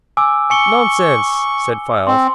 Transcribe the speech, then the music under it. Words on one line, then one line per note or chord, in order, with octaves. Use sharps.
"Nonsense," said Files.
G#5 D6 E6
G#5 C#6 C#7 G7
C4 C6